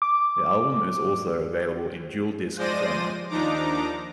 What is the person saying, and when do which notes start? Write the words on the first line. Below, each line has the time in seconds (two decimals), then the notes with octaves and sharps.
The album is also available in DualDisc format.
0.02 D6
2.57 F3 G#3 C5 D5 A#6 D#7
3.29 D#2 F3 D4 D#4 A#5 D6